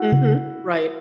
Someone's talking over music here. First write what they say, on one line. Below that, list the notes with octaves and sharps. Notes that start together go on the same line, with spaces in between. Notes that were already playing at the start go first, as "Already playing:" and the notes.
Mhm, right.
Already playing: E4 F#4
C#3